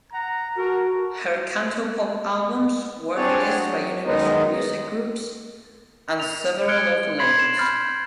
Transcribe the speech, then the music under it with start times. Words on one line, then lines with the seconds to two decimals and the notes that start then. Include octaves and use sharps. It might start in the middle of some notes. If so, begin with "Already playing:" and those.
Her Cantopop albums were released by Universal Music Group and several local labels.
0.12 F#5 A#5
0.57 F#4 A4 A#4
3.16 C4 D4 F#4 G#4 C#5 D5
3.60 F#3
4.04 F#2 D#3 G#3 B3 D#4
6.20 F7
6.68 F6 F#6 G#6 C#7 D7 G7
7.19 B5 C6 G#6 B6 C7 F#7
7.39 E7
7.57 B5 C6 F6 G6 A6